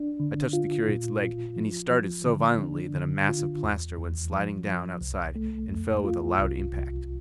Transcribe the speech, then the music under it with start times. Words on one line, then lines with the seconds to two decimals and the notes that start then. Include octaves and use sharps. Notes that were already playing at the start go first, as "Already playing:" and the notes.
I touched the curate's leg, and he started so violently that a mass of plaster went sliding down outside and fell with a loud impact.
Already playing: D4
0.20 D3
0.53 F4
0.88 A#2
1.23 F4
1.56 F3
1.91 F3
2.26 D3
2.60 D4
2.95 D3
3.29 F4
3.63 E2
3.98 E2
4.32 F3
4.67 F3
5.01 C2
5.36 A3
5.69 F2
6.04 F4
6.39 C2
6.73 C2